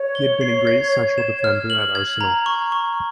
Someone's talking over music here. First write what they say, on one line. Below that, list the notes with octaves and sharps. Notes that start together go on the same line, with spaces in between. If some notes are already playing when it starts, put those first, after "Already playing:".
He had been a great central defender at Arsenal.
Already playing: C#5
G7
C7
G#6
G#6
E7
F6
F#7
G#6
A#5
C#6
C#6